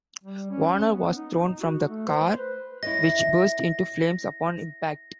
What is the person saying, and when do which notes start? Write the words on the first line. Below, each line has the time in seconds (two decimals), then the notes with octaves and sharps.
Warner was thrown from the car, which burst into flames upon impact.
0.23 G3
0.50 C#4
0.73 C#4
0.88 B3
1.17 D#4
1.33 D#4
1.60 F#4
1.88 A3
2.06 C5
2.39 B4
2.83 E4 C#5 D#5 A#6